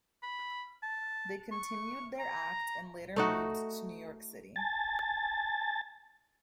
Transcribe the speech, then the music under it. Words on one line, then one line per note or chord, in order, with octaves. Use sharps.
They continued their act and later moved to New York City.
B5
A5
C#6
A#5
A3 D#4 F#4
G#5 A5 A6